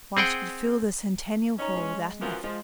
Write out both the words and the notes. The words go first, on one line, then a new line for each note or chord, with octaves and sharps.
Why, she could fill the Centennial Hall without an effort.
C4 G#4 F#5 G5
C#4 D#4 C#5 A#5
G#3
F#2 E3 F3
F3 G#3